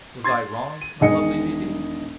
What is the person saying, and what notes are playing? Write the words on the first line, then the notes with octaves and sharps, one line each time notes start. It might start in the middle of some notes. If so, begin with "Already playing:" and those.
Was I wrong, my lovely Zizi?'
C6 G#6 A6
D#7
E1 D#3 G#4 D#5 C#7